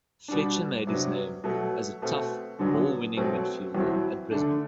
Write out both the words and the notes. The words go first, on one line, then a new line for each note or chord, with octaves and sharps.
Fletcher made his name as a tough, ball-winning midfielder at Brisbane.
B2 G3 D4
C3 F#3 B3 D4
B2 F#3 A3
B2 A3 C4
F#2 D3 F#3 B3 D4
B2 F#3 A3 C4
E2 B2 F#3 C4 E4
D3 A3 D4